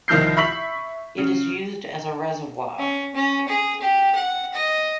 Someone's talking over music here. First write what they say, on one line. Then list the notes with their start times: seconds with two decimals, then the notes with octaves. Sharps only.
It is used as a reservoir.
0.08 C2 D#3 F3 F6 G6 C7
0.37 E5 B5 C#6 B6 F#7
1.18 C#3
2.79 C#4
3.15 C#4
3.48 G#4
3.81 G4
4.15 F#5
4.54 D#5